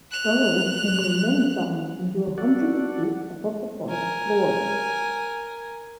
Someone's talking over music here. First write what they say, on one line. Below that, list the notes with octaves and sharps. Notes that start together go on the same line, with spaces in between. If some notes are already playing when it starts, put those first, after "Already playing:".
Burls can weigh many tons and grow hundreds of feet above the forest floor.
F#6 F7
F#4 A4 D5 F#5
A#4 G#5